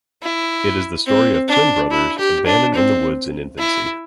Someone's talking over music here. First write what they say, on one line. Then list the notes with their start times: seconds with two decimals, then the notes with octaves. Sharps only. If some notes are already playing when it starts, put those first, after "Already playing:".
It is the story of twin brothers, abandoned in the woods in infancy.
0.23 E4
1.06 C4
1.48 D4
1.91 E4
2.18 G4
2.46 D4
2.74 C4
3.58 E4